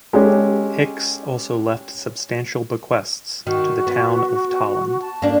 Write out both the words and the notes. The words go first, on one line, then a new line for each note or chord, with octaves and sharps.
Hicks also left substantial bequests to the Town of Tolland.
G#3 C#4 G4 A4
D#3 F#4
B3
A5
A#3 D4